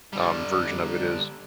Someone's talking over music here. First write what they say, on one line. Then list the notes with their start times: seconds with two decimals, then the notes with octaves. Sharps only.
um, version of it is.
0.13 D3 G3